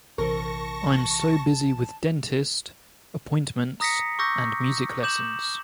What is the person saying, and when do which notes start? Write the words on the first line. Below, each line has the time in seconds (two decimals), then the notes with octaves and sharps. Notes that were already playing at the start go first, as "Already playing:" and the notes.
I'm so busy with dentist, appointments, and music lessons.
0.18 A#1 C3 E3 A#4 A5 C#6 A#6
3.80 A#5 D#6 A#6 B6 C#7
4.19 C#6 D6 E6 G6 A#6
5.03 D6 G6 E7 F#7